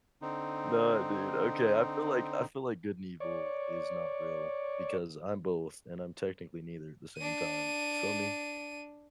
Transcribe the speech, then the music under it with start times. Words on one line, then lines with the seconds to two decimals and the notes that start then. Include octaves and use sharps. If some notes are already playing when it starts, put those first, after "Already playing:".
Nah, dude, okay. I feel like I feel like good and evil is not real because I'm both, and I'm technically neither at the same time, you feel me?
0.22 D3 C4 D#4
3.20 C#5 D5
7.18 D4 D#7